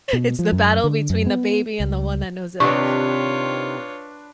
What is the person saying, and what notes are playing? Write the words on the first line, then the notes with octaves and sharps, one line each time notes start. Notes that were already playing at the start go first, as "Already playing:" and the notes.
It's the battle between the baby and the one that knows it all.
B2
F3
F#2
D3
F#2
B3
C#2
C3 D#3 C4 D4 F4 B4 C#5 C#6